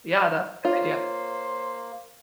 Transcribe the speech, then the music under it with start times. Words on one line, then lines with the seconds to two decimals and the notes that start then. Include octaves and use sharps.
Yeah, that's a good idea.
0.65 A#3 F4 C5 C#5